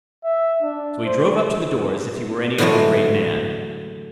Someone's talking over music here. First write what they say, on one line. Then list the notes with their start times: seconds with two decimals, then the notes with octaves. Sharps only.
So he drove up to the door as if he were any other great man.
0.24 E5
0.62 D4
1.06 C5
2.58 A2 D3 E3 F#3 G#3 A3